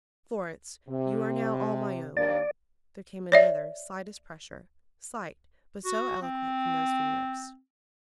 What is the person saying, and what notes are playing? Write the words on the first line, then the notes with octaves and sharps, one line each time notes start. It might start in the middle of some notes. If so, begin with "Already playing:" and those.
"Florence, you are now all my own." There came another slightest pressure, slight, but so eloquent from those fingers.
C3
D#2 A#3 D4 D5
C#5 D5 E5
F#4
C4